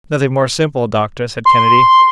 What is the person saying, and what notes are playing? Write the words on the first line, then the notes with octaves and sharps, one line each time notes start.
"Nothing more simple, doctor," said Kennedy.
C6